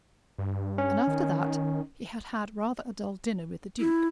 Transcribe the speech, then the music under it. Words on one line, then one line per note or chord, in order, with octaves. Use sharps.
And after that he had had rather a dull dinner with the duke.
G2
C#4
D#3
E4